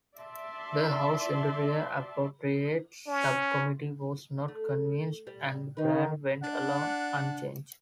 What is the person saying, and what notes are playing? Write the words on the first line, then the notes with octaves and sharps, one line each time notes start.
The House Interior Appropriates Subcommittee was not convinced, and the plan went along unchanged.
D5 E5 A5 C6
C#4
A3
G3
D#3 D#4 B4
D4 F#5